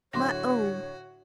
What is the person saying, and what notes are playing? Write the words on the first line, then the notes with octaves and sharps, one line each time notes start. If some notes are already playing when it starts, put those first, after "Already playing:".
My own!
A2 D3 F#3 F#4 C#5 C6 D6 A#6